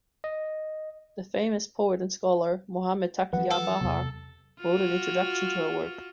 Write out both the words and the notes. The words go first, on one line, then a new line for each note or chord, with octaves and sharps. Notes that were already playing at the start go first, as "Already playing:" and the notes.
The famous poet and scholar Mohammad Taqi Bahar wrote an introduction to her work.
D#5
E3 F3 G3 B4 F#5
A4
E2 C3 F#3 B3
F4 F#4